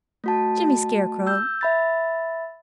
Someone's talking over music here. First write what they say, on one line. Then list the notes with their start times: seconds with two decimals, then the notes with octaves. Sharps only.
"Jimmy Scarecrow!"
0.24 A3 F#4 A5
1.27 E6 G6
1.61 E5 B5 A6